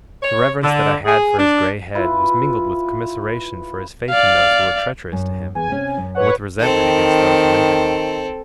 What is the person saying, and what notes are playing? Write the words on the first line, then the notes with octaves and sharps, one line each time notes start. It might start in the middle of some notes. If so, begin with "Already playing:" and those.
The reverence that I had for his grey head, was mingled with commiseration for his faith in those who were treacherous to him, and with resentment against those who injured him.
C#5
D3
G#4
D4
E4 F4 B4
D5 F5
F#2
E2 G#5
C3 C#4
F#2
B4 C#5 F#5
D#3 C4 A4